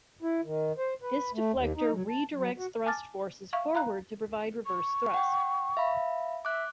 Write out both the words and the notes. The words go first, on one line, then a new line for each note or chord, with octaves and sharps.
This deflector redirects thrust forces forward to provide reverse thrust.
E4
D#3
C5
B4
A3
D#2
D#4
F#3
A5
F#3
F#4
G#5 A5 D6 F6 A6
E5 F5 C#6
F5 A#5 B5 F#6
C#6
F#5 G5
E5 F5 B5
E5 D6 F#6